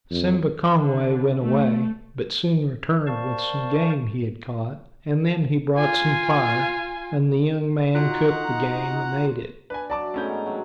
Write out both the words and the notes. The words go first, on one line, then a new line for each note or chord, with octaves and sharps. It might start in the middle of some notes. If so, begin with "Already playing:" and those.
Simba Kongway went away, but soon returned with some game he had caught, and then he brought some fire, and the young man cooked the game and ate it.
F2
D3
A3
A#4 C5 D5 F5 A5 C#6
F4 G#5
D#4 F4 F#4 F#5 A#5 F#6
D4 B4 G#5
F#3 D5 A5 D6
E5
G#2 A3 B3 C#4 A#4 G6
A#4 F5 F#5
C3 F#3